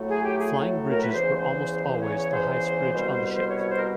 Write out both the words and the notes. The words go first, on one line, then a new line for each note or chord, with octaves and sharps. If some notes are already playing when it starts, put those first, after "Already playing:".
Flying bridges were almost always the highest bridge on the ship.
Already playing: A2 F#3 A3
G#4
G4
G#4
A#4
B4
E2 C#3 E3 C5
C5
C#5
C#5
C5
C2 B2 G3
B4
C5
C#5
C#5
C5
A#4